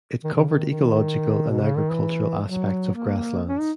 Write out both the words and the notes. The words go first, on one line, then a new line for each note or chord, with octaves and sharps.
It covered ecological and agricultural aspects of grasslands.
D#3
C#3
D#3
D#3
E3
D#3
B2
C#3
D#3
E3
F#3
A#3
C#4
D#4